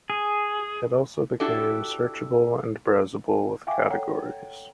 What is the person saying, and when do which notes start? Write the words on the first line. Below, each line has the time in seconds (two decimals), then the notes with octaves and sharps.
It also became searchable and browsable with categories.
0.10 G#4
1.40 D4 E4 F#4 G4 A4 D5
3.67 E5 F5 G5 G#5 C#6 D6
3.90 A4 C#5 F#5 G5 A#5